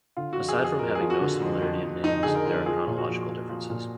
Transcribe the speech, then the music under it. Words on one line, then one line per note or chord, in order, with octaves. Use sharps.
Aside from having no similarity in names, there are chronological differences.
D3 F4
F#4
F2
G#4
F2
G#4
F2 A#4
G#4
F3
F#4
D3
F2
F2
F2
F2 D#4
D3 G#4
A#4
F2
F3 G#4
A#2
F#4
F3
F3
F3
A#2